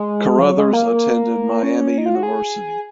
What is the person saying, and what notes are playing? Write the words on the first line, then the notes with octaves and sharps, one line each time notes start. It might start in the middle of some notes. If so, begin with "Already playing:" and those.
Carruthers attended Miami University.
Already playing: G#3
F3
F#3
G#3
A#3
C#4
D#4
F4
F#4
G#4